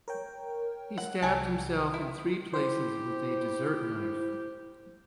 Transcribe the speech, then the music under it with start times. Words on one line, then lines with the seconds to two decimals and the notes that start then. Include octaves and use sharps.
He stabbed himself in three places with a desert knife.
0.08 A#4 C#5 G5
0.98 F#5
1.22 C2 G3 G#5 A5
1.94 E4
2.54 E4 G4 C5